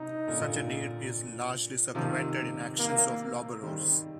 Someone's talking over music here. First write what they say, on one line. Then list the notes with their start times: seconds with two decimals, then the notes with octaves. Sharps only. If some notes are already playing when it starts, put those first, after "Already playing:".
Such a need is largely circumvented in actions of lawburrows.
Already playing: C3 D#4
0.27 A#2 D3
1.95 C3 D#3 F3
2.79 A#3
3.62 D#3 G3 C4